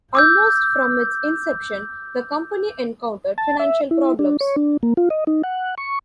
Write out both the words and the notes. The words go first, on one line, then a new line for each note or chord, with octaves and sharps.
Almost from its inception, the company encountered financial problems.
D6 E6 G6
A5
E5
E4
D4
C#5
D4
A#3
F4
D#5
D#4
F#5
C#6